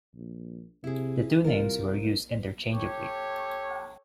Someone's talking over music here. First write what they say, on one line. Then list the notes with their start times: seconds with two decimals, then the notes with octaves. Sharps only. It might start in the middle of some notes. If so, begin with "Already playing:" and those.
The two names were used interchangeably.
0.15 A#1
0.84 C3 E4 G#4
1.44 C2 F4 A#4
2.71 G4 A4 C#5